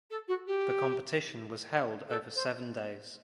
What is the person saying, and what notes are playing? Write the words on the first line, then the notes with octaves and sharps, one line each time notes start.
The competition was held over seven days.
A4
F#4
G4
A4
C5